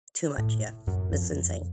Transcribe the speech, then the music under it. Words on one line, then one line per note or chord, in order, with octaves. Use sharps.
Too much, yeah, that's insane.
A2
F#2
F2